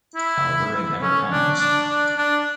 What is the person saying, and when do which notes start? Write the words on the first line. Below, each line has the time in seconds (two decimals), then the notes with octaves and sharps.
However, it never comes.
0.15 E4
1.02 C#4
1.31 D4
1.59 D4
1.88 D4
2.17 D4